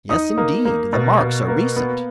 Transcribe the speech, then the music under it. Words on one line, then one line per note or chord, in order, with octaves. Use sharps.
"Yes, indeed, the marks are recent."
D#4 D#6
A#3
A#3
B2
B2
A#3
B3